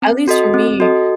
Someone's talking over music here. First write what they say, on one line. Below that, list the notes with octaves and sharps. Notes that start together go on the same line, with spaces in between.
at least for me,
C4
F#4 A4 D#5
C4
F#4 A4 D#5